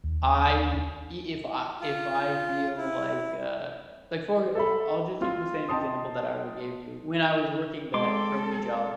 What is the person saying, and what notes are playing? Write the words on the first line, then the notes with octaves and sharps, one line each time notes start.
I w e if I if I feel like, uh, like for I I'll just use the same example that I already gave you. When I was working that trophy job
D#2
F4
E4
A4 E5 B5
C4 F4
D#5 G5 A5 C6 D#6
G#3 C4 A4 C6 D6